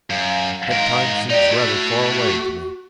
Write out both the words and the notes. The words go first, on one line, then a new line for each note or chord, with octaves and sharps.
"That time seems rather far away to me."
F#2 F5
G#2 A#4
D#4 G4 D5
A3 E4 F#4